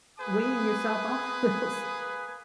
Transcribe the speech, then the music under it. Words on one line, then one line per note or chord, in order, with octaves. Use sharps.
weaning yourself off of those
A#3 G#4 B4 G#5 D#6